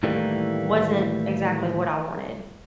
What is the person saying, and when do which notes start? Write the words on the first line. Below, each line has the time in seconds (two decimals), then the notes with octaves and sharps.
wasn't exactly what I wanted,
0.03 A2 D#3 E3 G3 A3 A#3